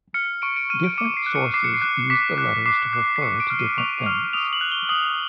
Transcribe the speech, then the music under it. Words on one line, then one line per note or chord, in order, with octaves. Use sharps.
Different sources use the letters to refer to different things.
F6 C#7
C#6 D7
D7
F6 D#7
D7
D6 C#7
C7
F#6
C#7
D6 C7
C#7
C7
F#6
D6 B6
F#6
D6 C7
F#6
C7
C#6 C#7
D7
F6
D#7
C#6 F7
F6
D#6 F7
F#7
F#6
G7
D#6 F#7